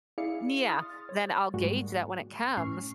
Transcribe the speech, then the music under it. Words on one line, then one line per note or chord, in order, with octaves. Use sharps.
yeah, then I'll gauge that when it comes
E4 G#4 D5 F5 C#7
C6 D#6 F6 A6
C#5
G#2 G3 G#3 A#3 F#4
A2 C#4 C#6 F6 C7